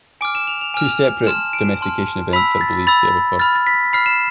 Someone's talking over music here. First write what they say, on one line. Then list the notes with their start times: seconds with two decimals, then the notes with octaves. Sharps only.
Two separate domestication events are believed to have occurred.
0.21 G#5 D6 F6 D7
0.35 E7
0.47 F7
0.61 F7
0.74 G#5 D6 F6
0.85 F7
1.27 A5 C6 F6 E7
1.53 D7
1.81 A5 C6 F6
2.33 B5 E6 B6
2.61 A6
2.87 B5 E6 A6
3.39 B5 F6 A6
3.55 A6
3.67 B6
3.93 B5 F6 C7
4.06 E7